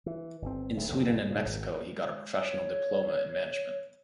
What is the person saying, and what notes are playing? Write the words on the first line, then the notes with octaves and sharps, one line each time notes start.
In Sweden and Mexico he got a Professional Diploma in Management.
E3
G1 C4
D1 D#2 A3
B1 F2 A2 D3
A#2 C#3
G#1
G#3
C#5